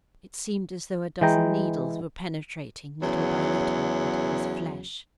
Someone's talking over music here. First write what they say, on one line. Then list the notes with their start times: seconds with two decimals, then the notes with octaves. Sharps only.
It seemed as though a dozen needles were penetrating little by little into his flesh.
1.21 E3 G#3 G5 A#5
3.03 E2 C#3 F#3